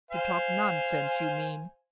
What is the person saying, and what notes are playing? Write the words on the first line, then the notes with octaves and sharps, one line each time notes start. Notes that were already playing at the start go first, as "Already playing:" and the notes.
"To talk nonsense, you mean."
C5 F5 G#5